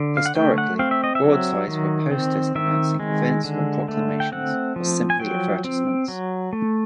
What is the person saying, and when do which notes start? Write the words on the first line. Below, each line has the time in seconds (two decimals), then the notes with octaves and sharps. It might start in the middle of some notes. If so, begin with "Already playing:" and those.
Historically, broadsides were posters, announcing events or proclamations, or simply advertisements.
Already playing: D3
0.17 F5
0.26 F#5
0.35 A3 G5
0.58 F#5
0.79 C4 F5
0.91 E5
1.04 D#5
1.15 E5
1.24 F#3
1.68 D#3
2.11 C4
2.55 D#3 E5
3.00 G#3
3.44 D3
3.88 A3
4.20 G5
4.32 C4 F#5
4.76 F3
5.10 G#5
5.20 F#3 G5
5.64 C4
6.08 F#3
6.53 A3